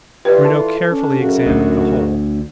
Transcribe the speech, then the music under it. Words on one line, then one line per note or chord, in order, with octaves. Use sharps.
Bruno carefully examined the hole.
E3 F4 G4 B4 D5
A4
C#4 D4
F#2 C#3 F#4
D2